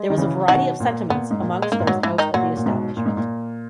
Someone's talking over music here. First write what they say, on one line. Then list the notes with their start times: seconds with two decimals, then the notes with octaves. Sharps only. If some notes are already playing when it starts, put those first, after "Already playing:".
There was a variety of sentiments amongst those out of the establishment.
Already playing: G#3
0.10 D#3
0.17 C#3 E3
0.48 B2 D#3 F#3 F#4
0.80 A#2
1.10 A#2 B3
1.31 G#2
1.41 A#2
1.62 G#3
1.72 G#2 A#3
1.80 A#2
1.87 G#2 F#3
2.03 G#2 E3
2.18 D#3 D#4
2.34 A#2 F#3 F#4
2.57 A#2
2.66 G#2 B2
2.97 A#2
3.06 G#2
3.17 A#2